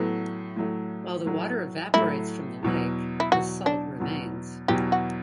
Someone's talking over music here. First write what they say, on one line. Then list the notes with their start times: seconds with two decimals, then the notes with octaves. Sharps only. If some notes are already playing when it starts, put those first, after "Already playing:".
While the water evaporates from the lake, the salt remains.
Already playing: A2 F#3 A3 B3
0.56 A2 F#3 A3
1.26 A2 F#3 A3
1.94 A2 F#3 A3 E4
2.63 E2 B2 F#3
3.20 E4
3.32 E2 B2 F#3 F#4
3.66 D4
4.00 E2 B2 F#3
4.68 E2 B2 F#3 G4
4.92 F#4